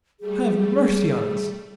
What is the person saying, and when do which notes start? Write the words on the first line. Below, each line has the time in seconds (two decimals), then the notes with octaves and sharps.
"Have mercy on us!"
0.20 G3 A3 G#4